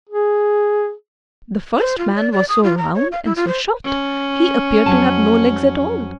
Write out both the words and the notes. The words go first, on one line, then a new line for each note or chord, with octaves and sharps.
The first man was so round and so short he appeared to have no legs at all.
G#4
C5
F4
D5
D5
D#6
F4
A#5
C#5
F5
E4
F4
C5
C#4
F2 F#3 A5